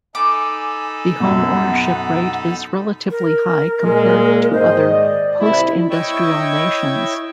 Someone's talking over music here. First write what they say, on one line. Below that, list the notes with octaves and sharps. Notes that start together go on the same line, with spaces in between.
The home ownership rate is relatively high compared to other post-industrial nations.
D#4 A4 G#5 B5 D6
F#2 B2 F#5
A#4
A#2 G#3
G#2 D#3 C5 D#5
D5
C2 E4
E4 C#5 D#5 G5 C#6 E6